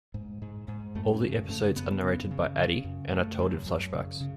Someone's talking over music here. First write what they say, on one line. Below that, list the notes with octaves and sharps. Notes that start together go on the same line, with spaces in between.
All the episodes are narrated by Addie, and are told in flashbacks.
G#2
G#2
G#2
F#2 A3
C#4
C#3
A3
C#3 A3
F#2 B3
C#3
C#3
C#3
F#2
C#3 A3
F#2
F#2
C#3
C#3